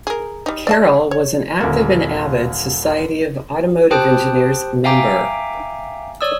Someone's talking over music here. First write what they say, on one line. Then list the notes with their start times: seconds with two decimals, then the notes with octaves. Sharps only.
Carroll was an active and avid Society of Automotive Engineers member.
0.07 G#4 A#4
0.46 G3 D#4
0.67 D5 E5 A5
1.11 C#5
1.60 D#1 D3 A#3
3.91 G4 C5 G5 A5 D#6 F#6
4.84 E5 F5 G5 G#5 A#5 D6
6.21 C#5 D5 D#6 E6